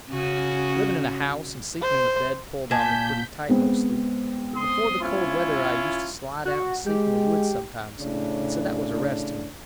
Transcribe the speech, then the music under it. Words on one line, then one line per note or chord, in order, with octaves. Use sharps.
Living in a house and sleeping in a bed pulled on me pretty tight mostly, but before the cold weather I used to slide out and sleep in the woods sometimes, and so that was a rest to me.
C#3 C#4 F#4
C5
A#2 G#5 A5 G6 B6
G#3 B3 C4
C6 D#6
C#4 E4 F4
F#4
G#3 G4
A2 C#3 D4